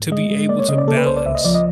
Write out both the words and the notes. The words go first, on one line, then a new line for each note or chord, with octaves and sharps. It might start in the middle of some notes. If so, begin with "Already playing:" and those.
to be able to balance
Already playing: G#2
G#3 D#5
G#3
A#3 D5
C#5
C#3 D#5
D5
A#3 A4
B4
C2 C5
D5
C#2 E5
D#5
F3 D5
D#5